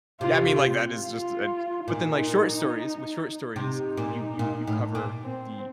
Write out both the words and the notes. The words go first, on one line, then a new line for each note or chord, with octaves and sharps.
Yeah, I mean like that is just, eh but then, like, short stories with short stories, you you you cover the,
C3 F4
F4
A#2 D#4
C3 D#4
A#2
A#2
A2
A#2
C4